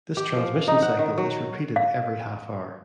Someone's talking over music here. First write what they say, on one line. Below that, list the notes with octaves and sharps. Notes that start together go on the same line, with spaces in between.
This transmission cycle is repeated every half-hour.
G4
F3
D#4
F#5
D#3
F#3
F5